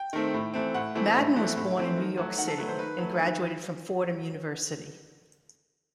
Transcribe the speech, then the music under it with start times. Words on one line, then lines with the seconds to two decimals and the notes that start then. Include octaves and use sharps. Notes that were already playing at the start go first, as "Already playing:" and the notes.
Madden was born in New York City and graduated from Fordham University.
Already playing: G5
0.13 D#3 A3 C4
0.34 A2
0.54 E3 A3 C4
0.74 A2 F#5
0.95 E3 A3 C4
1.16 A2
1.36 E3 A3 C4
1.56 A2
1.77 E3 A3 C4
1.97 D#3
2.17 F#3 A3
2.38 D#3 F#5
2.47 A4
2.58 F#3 A3 B4
2.68 C5
2.79 D#3 B4
2.98 F#3 A3
3.20 D#3